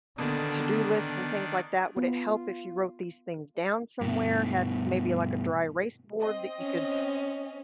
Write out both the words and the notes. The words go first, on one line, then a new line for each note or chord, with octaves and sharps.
to-do lists and things like that? Would it help if you wrote these things down somewhere, had maybe like a dry erase board that you could
B2 D3 D#3 A#3 D4
B3 F4
G2 B2
C4 D#5
C#4